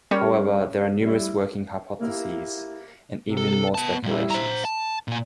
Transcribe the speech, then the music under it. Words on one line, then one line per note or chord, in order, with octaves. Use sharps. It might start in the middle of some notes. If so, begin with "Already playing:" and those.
However, there are numerous working hypotheses and even more speculations.
G3 C#4 A#4 C#5
A4
B3 A5
A#2 G3
C5 A#5
A5
A#2 G#5